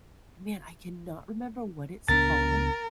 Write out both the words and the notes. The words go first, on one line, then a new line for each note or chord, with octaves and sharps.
man, I cannot remember what it's called,
C#2 B3 D4 A#4 A6